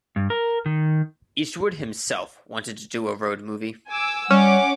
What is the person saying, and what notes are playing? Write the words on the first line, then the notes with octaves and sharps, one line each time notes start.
Eastwood himself wanted to do a road movie.
G2
A#4
D#3
G#5 D6 E6
G3 C#4 F#5 D6